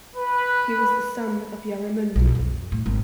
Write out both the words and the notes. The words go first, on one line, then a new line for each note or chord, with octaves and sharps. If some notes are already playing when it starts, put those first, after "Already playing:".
He was the son of Yarramundi.
B4
B1
F2
A2
G#1